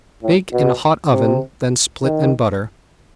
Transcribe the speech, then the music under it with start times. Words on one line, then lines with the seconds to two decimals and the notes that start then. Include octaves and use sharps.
Bake in a hot oven, then split and butter.
0.23 A2
0.53 B2
1.12 C3
2.03 D#3